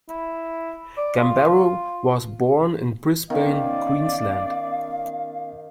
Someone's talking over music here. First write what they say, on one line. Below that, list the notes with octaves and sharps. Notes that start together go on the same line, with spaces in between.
Gambaro was born in Brisbane, Queensland.
E4
D5
F4
D#3 B3 C#4 D5 F5